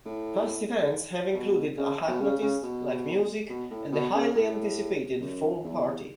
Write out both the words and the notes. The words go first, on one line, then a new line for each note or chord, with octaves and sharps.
Past events have included a hypnotist, live music, and the highly anticipated foam party.
A2
B2
C#3
B2
C#3
C#3
B2
B2
A2
B2
C#3
A2
F#2
E2